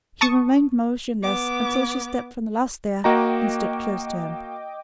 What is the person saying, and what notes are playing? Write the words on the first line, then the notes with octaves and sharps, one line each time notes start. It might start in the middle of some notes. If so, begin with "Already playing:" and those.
He remained motionless until she stepped from the last stair and stood close to him.
A5 C#6 D#6
B3 D6
A#3 F#4 D#5 G5 A#5 D6